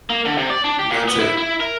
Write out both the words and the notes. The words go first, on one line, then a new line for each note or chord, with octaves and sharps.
That's it.
A#3
D3
C3
D5
D4
G4
A#2
B3
E4
E4
A#4